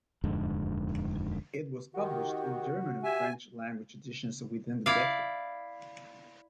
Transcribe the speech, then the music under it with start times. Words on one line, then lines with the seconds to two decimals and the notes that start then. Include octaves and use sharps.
It was published in German and French-language editions within the decade.
0.24 D#1 F2 G#2 D3
1.94 D#3 F#4 G4
3.04 G4 E5 G#5
4.86 E4 D5 F5